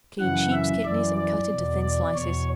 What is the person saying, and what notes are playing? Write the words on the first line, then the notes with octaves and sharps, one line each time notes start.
Clean sheep's kidneys and cut into thin slices.
F#2 C#3 E3 F#5
E5
F#2 E3 D5
D5
E2 B2
D5
E2 B2 C#5